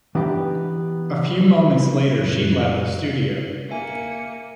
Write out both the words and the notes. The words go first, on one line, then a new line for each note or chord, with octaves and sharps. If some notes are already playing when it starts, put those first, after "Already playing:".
A few moments later she left the studio.
E3 B3 D4 D#4 G4
F#2 A#2 F#6
A#3 E5 G#5 C#7